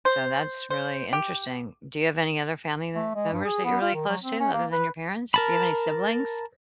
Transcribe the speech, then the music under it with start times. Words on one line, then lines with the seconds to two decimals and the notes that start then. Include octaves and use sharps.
So, that's really interesting. Do you have any other family members that you're really close to, other than your parents? Do you have any siblings?
0.05 C5
0.70 C5
1.13 G4
2.95 A3
3.15 G#3
3.33 G2
3.45 G#4
3.65 B3
3.81 F4
3.94 D#3
4.09 F#3
4.23 C4
4.40 C#4
4.54 A#3
4.72 B4
5.34 A#4 A5 B5